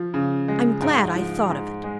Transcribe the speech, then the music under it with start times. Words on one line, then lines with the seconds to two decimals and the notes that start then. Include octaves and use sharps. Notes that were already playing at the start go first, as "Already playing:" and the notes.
I'm glad I thought of it.
Already playing: F3
0.14 C#3
0.48 G#3
0.82 G#2
1.16 F3
1.50 G#2
1.84 G#3